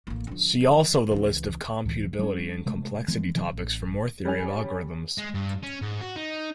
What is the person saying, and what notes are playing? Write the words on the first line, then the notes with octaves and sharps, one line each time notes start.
See also the list of computability and complexity topics for more theory of algorithms.
A1 A#3
D3 F3
C#2 E3
C#2 A2 E3
G3 C#4
C3 G#3 A3
E3 F3 G#3 B3
C3 E3 F#3 C4
A1
G3 C#4 G#5 F7
G#3
G2
C#4
G#2
F#4
D#4